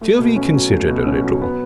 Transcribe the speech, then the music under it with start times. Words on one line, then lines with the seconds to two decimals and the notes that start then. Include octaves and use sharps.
Sylvie considered a little.
0.01 A3
0.19 B2
0.36 C#4
0.54 F#3
0.71 A3
0.89 B2
1.06 C#4
1.24 F#3
1.42 B3